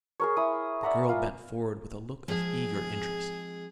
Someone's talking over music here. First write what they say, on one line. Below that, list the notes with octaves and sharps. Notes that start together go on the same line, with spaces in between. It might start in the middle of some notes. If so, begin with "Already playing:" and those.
The girl bent forward with a look of eager interest.
G#4 A#4 C#5
E4 G#4 D#6
D5 E5 F#5 A#5
F4
F3 G#3 C4 G#4